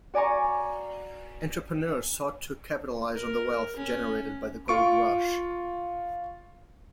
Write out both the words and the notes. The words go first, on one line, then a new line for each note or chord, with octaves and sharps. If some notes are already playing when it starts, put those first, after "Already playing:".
Entrepreneurs sought to capitalize on the wealth generated by the Gold Rush.
F#4 D5 G#5 A#5 C#6
A#4
C#4
F4 C#6 D7